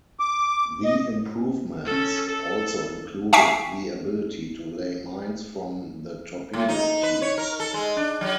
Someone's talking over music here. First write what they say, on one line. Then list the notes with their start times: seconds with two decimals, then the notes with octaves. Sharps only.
The improvements also included the ability to lay mines from the torpedo tubes.
0.20 D6
0.85 D#5
1.86 C#4 A4
2.28 A4
3.33 E5 G5 G#5 C#6 B6 C7
6.53 A2
6.69 D#4
7.03 B4
7.22 C#5
7.38 A#4
7.60 A4
7.74 G#3
7.97 D4
8.21 F#3